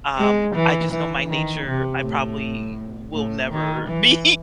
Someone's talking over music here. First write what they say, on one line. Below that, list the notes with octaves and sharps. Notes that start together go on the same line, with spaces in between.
um, I just know my nature. I probably will never be
G#3
E3
E3
D#3
C3
A2
A2
D#3
E3